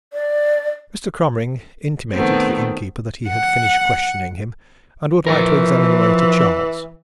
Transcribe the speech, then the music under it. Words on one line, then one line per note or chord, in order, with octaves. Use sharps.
Mr. Cromering intimated to the innkeeper that he had finished questioning him, and would like to examine the waiter, Charles.
D5
D#3 A3 B3 C4
F#5
E3 F3 F4 A#4